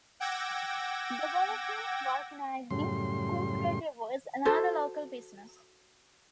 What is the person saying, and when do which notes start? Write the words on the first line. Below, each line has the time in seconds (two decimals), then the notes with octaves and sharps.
The Wollaston Vulcanising Co-Operative was another local business.
0.20 F#5 G5 D6 E6 G#6 A#6
2.71 F#2 A2 C#3 G3 C6
4.45 F#4 A4 C5